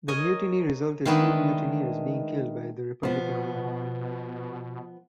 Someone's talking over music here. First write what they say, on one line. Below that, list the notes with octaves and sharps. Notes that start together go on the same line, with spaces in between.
The mutiny resulted two mutineers being killed by the Republican Guard.
A#4 C#5 D#5 G#5
D#3 G#3 A3 B3 D4 D#4
B2 F3 B3